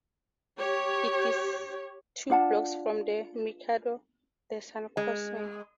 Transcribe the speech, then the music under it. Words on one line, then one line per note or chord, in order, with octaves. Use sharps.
It is two blocks from the Mercado de San Cosme.
G4 C#5
D4 F4 F#5 A5
G#3